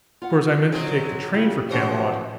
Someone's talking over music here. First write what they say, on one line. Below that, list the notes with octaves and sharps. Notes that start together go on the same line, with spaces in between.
Of course, I meant to take the train for Camelot.
F4 F5 F#5
F#3 G#3 C4 G#4
C#3 E4 F4 G4
B2 E3 F3 C#4 F#4 C5